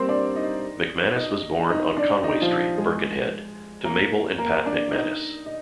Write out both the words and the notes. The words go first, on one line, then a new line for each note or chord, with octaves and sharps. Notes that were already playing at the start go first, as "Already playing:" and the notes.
MacManus was born on Conway Street, Birkenhead, to Mabel and Pat McManus.
Already playing: G3 A#3 C4 A#4 C5
D4 D5
D#4 D#5
D#4 D#5
D#4 D#5
D4 D5
D#4 D#5
F3 F4
G#3 G#4
A#3 A#4
A#3 A#4
D4 D5
D#4 D#5
D#5